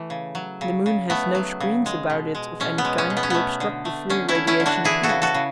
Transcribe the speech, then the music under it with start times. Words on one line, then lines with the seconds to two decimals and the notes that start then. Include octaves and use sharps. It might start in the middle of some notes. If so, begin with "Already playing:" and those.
The moon has no screens about it of any kind to obstruct the free radiation of heat.
Already playing: E3 A3
0.10 C#3
0.35 F#3
0.61 C#3
0.86 C#3
1.10 A3 B3
1.35 F#3
1.60 C#3
1.86 G#3
2.10 B2
2.35 G#3
2.60 B2 C#4
2.78 B3
2.85 G#3
2.98 C#4
3.10 B2
3.17 B3
3.23 C#4
3.30 A3 B3
3.60 D3
3.85 A3
4.10 D3 C#4
4.28 C#4 E4
4.35 A3
4.47 C#4 E4
4.60 D3
4.66 D4 F#4
4.84 E3 E4 G#4
5.03 F#4 A4
5.09 C#3
5.22 F#4 A4
5.34 C#3